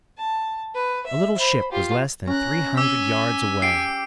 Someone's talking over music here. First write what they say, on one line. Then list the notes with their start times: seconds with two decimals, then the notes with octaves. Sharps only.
A little ship was less than three hundred yards away.
0.18 A5
0.75 B4
1.07 E5
1.38 C5 B5
1.72 F4 G4
2.27 C#4 A#5 F#6
2.77 G#5 D6 E6 B6
3.62 G4 C7 D7